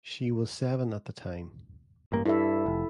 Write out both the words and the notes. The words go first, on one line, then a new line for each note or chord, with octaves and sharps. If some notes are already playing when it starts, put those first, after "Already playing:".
She was seven at the time.
A1 G2 A#3
G2 E4 A4 E5
F1